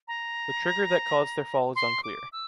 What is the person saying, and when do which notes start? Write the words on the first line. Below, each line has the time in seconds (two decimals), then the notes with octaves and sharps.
The trigger that caused their fall is unclear.
0.08 A#5
1.76 C6
2.03 D6
2.32 E6